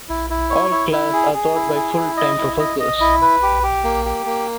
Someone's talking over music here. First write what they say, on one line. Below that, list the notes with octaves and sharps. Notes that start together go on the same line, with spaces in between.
All classes are taught by full-time professors.
E4
E4
C#5
E4
E4
G#4
G#4
E4
G#4
E4
D#5
E4
D#5
D#5
E4
B4
G4
G4
A#3
G4
A#3